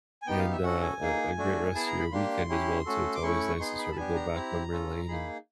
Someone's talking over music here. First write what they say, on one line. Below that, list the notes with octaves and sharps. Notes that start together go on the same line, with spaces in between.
and, uh, a a a great rest of your weekend as well too. It's always nice to sort of go back memory lane and
G#5
B3 D#4 G4 G5
F5
E5
C#4 F#4 A4 F#5
G#5
A#3 D#4 G#4
A3 D4 F#4
B3 E4 G#4 A5
A#5
B5
A#3 D4 G4 C6
C#4 E4 G4
A3 C#4 F#4 A4
D6
A3 C#4 E4 C#6
B3 D#4 G#4 C6
B5
A5
B3 D4 G4 G#5
A#5
C4 E4 G4
C#4 F4 A4
A#3 D#4 G#4 B5